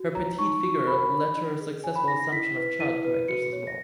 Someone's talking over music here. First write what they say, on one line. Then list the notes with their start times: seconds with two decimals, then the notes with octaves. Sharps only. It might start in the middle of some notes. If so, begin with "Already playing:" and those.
Her petite figure led to her successful assumption of child characters as well.
Already playing: F#4
0.14 C#5 A#5
0.38 D#4 C#6
0.63 F#4
0.87 A#4 B5
1.11 C#5
1.36 D#4
1.60 G#4
1.83 C#5 G#5
1.96 B5
2.08 D#4 A#6
2.20 A#6
2.32 E4 B6
2.56 B4
2.80 E4 D#7
3.04 B4
3.28 F#4 C#7
3.52 C#5
3.67 A#6